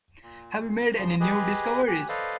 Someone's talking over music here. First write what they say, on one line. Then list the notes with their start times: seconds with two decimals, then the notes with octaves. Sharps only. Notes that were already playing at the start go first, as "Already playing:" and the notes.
Have you made any new discoveries?
0.22 A#2
0.97 C#3 F3 C6
1.20 G4 G#4 B4 D#5
1.88 D2 G4 G#5 F#6
2.09 A4 B4 C5 D5 D#5 F5